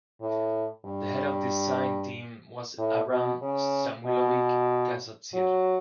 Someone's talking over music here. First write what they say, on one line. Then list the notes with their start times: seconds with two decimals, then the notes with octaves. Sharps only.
The head of the design team was Abram Samuilovich Kassatsier.
0.21 A2
0.85 G2
2.78 A2
3.10 B2
3.42 C#3
4.06 B2
5.34 F#3